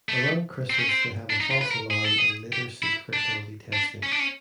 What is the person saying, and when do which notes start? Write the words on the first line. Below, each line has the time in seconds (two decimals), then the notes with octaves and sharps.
Around Christmas, they have a false alarm and later seek fertility testing.
0.09 A3
0.70 C4
0.79 C#4
0.89 C4
1.30 D4
1.41 D#4
1.51 F4
1.61 B4
1.71 A#4
1.91 G#4
2.04 A4
2.18 G#4
2.52 G4
2.83 E4
3.13 D4
3.73 D4
4.03 C#4
4.12 D4
4.19 C#4